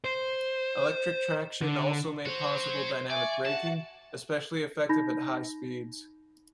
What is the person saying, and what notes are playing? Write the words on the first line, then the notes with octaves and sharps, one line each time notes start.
Electric traction also made possible dynamic braking, especially effective at high speeds.
C5
D3
F#4 C5 C#5
D5 E5 G#5 C#6
F#4 F#5 A5
D#4 B5 G6 A#6